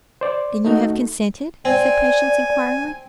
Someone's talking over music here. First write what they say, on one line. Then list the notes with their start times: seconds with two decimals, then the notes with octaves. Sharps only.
"Then you have consented?" said Patience, inquiringly.
0.21 C5 D5
0.65 A3 D#4 F#4
1.65 C4 D5 G#5